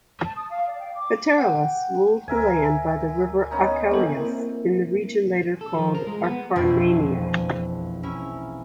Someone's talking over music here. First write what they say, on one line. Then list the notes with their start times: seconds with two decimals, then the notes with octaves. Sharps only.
Pterelaus ruled the land by the River Achelous, in the region later called Acarnania.
0.24 A5
0.36 D#6
0.51 F5
0.67 D5
0.79 G5
0.95 D6
1.38 F#5 G5
2.28 D2 A#4 E5 G#5
3.51 B3 C#4 D#4
3.91 D#3 E3 B3 G4 A4
4.15 A#3 C4 E4 A#4
5.61 A4
5.74 F3
5.95 A#4
6.07 G#3
6.24 B3
6.56 E1 A#1 F2 C5 G#6 D7
8.03 C#4 E4 A#5